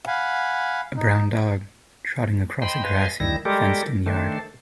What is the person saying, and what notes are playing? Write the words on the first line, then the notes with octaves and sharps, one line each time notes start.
A brown dog trotting across a grassy, fencedin yard.
F5 F#5 G#5 B5
D#4
C5 D#5 G5 B5 C6
B4 D#5 F5 G#5 C6
D2 D#3 G3 E4 A#6
G3 G#3 G4 A4 A#4
D#3 A3 D4 A4 C5